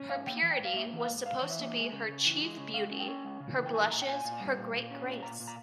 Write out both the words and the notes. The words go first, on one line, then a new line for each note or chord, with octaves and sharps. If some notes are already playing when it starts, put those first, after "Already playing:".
Her purity was supposed to be her chief beauty--her blushes, her great grace.
Already playing: C#4
G#2 F5
A#3 G5
E3
G5
G#2
F5
A#3 E5
E3
F5
G#2
G#2 F5
E3 C#5
E5
A#3
G#3
C#3
C#3
E3
G#3
C#3
G#3 F5
C#4
G5
C#4
G#3
C#3
E3
G5
A#2 G#5
A#2 A#5
G5
A#2 G#5
A#2
G3
A#2
A#2
C#4
A#2
A#2 A#5
A#2
A#5